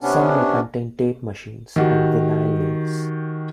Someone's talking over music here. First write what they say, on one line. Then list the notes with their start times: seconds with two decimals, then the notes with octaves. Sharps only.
Some may contain tape machines and vinyl lathes.
0.02 C3 B3 C#4 D4
1.76 D#3 F#4 G4